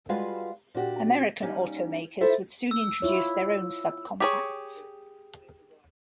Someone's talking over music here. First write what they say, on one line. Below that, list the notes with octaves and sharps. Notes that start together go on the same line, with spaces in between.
American automakers would soon introduce their own subcompacts.
G3 G#3 F4 F#4 B4 F5
A#2 D4 F#4 G4
G3 A#3 C#4 D#4
E4 F4 A4 C5 E5
E6
E4 F4 C#5
G4 G#4 C#5